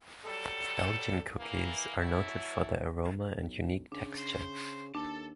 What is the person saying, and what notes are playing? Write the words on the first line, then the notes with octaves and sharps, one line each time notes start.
Belgian cookies are noted for their aroma and unique texture.
F#3 G3 A4
E2 E3 A#3
E3 F#3 A3 E4
B1
C#3 D4
C5
D#2 D4 A4 A5